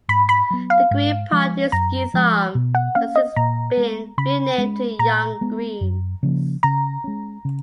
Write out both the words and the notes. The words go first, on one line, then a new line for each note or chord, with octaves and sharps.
The Green Party's youth arm has since been renamed to Young Greens.
G#2 B5
B5
F#3 B3
F5
G#2
F3 G#3
F#2 A#5
F3 G#3
B2
F#5
A#3 C#4 F5
D#5
A#2 A#5
G#3 B3
C#3 B5
G#3 C#4
A#2 A#5
G#3 B3
F#2
C#3 F3 A#3
C#3 A#5
G#3 C#4
C#3